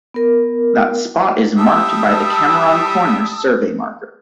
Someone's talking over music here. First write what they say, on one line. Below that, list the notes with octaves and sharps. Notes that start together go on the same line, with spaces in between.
That spot is marked by the Cameron Corner Survey Marker.
B3 A#4
G3 E5 A5 D#6 E6